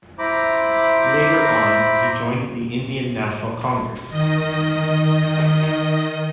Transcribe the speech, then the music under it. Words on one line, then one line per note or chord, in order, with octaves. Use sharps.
Later on he joined the Indian National Congress.
E4 C5 A#5 B5 D6
D#3 D#5